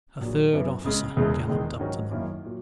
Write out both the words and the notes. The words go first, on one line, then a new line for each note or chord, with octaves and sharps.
A third officer galloped up to them.
A#1 A#2 F#3
F#2 E3 B3
C#2 C#3 G#3
E1 E2 C#3 G#3
E1 E2 D#3 G#3
G#2 D#3 F#3 C#4 F#4
F#2 D#3 A#3 C#4 E4
A#2 F#3